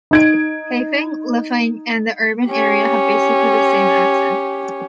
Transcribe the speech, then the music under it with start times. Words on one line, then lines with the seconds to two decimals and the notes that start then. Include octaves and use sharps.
Haifeng, Lufeng and the urban area have basically the same accent.
0.11 D#4 G#6 D7
2.48 C#4 G4